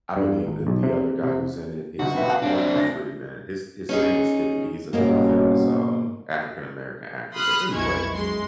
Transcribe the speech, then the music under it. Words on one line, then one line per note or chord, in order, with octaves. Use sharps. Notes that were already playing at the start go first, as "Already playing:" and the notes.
I believe that the other guy who's in it is not Morgan Freeman. His his name is skipping me. He's another famous, um, African American actor. But, anyway,
G2
G#1
B1
C3
C3
G1 G#2 F#4
C4 B4 E5
F5 F#5 A5
C4 D4
D2 A6 A#6
C#4 D#4 G#4
G#2 B2 G3 A#3 C#4 F#4
B5 C6 D#6 F6 F#6
B1 F2 G#3 E4 C#6 G#6
F#2 G#3 C6